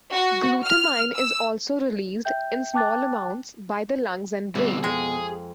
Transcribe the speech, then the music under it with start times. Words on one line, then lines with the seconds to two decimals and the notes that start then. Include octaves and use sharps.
Glutamine is also released, in small amounts, by the lungs and brain.
0.13 F#4
0.64 F6
1.15 E6
2.25 E5 G5 G6
2.74 G5 A5 D6 F#6 A6
4.55 D2 B2 G3 C4
4.84 F2 G#3 G#4